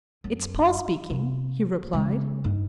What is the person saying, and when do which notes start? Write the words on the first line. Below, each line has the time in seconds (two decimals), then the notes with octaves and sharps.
"It's Paul speaking," he replied.
0.24 F#2
1.10 C3
1.93 C#3 G#3
2.44 G2 D#4